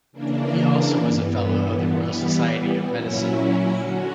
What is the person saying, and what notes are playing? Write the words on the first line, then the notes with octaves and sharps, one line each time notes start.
He also was a Fellow of the Royal Society of Medicine.
C#3 E3 A#3 D4
G2 E3 B3
E3 G3 B3
A#2 F#3 C#4 E4
D3 F#3 C#4 F#4